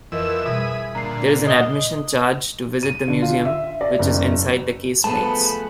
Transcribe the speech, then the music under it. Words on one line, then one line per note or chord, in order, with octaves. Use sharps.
There is an admission charge to visit the museum which is inside the casemates.
F2 E3 A#4 B4 D#5 E6
B2 G3 G#4 E5 B5 D#6
A#2 D3 A#5 C7
D#5 D#6 G7
D#7
D3
F4
E5
D5
F#1
F3 A3 B3 F#4 G#4 B4 A5 B5